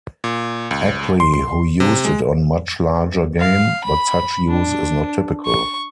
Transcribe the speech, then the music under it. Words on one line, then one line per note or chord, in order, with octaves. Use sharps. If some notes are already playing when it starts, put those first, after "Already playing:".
Ackley who used it on much larger game, but such use is not typical.
A#2
C#2
C6
C6
C3
G#3
F5
B5
D4
C#6